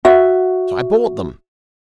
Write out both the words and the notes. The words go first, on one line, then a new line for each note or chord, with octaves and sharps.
So I bought them.
F#4 E5